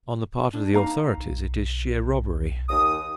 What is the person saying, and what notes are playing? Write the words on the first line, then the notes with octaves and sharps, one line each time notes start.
On the part of the authorities it is sheer robbery.
D4
A#3 D#4 F5 A#5
B1
D#2 D#6